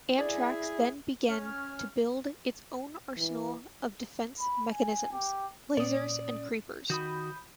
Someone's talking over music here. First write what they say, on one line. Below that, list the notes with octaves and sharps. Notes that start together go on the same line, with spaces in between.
Antrax then began to build its own arsenal of defence mechanisms: lasers and Creepers.
E4 G#4 D5 G#5
C#4 F6
E3
B5
G#5
G4
A#2 C#4 D5 D#6
D#3 F#4 B5 D#6 G6